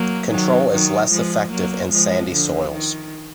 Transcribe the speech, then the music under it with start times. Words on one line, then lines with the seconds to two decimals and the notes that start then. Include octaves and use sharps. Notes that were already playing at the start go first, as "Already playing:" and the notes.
Control is less effective in sandy soils.
Already playing: F#3 A#3
0.31 D#3 F#3
0.71 D#3 F#3
1.11 F3 G#3
1.51 F#3 A#3
1.92 F3 G#3
2.32 D3 F3
2.72 D#3